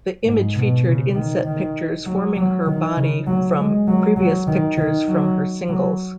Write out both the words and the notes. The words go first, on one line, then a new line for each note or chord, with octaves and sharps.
The image featured inset pictures forming her body from previous pictures from her singles.
G#2
B2
C#3
D#3
D#3
F#3
F#3
D#3
C#3
F#3
G#3
F#3
F#3
D#3
D#3
F#3
F#3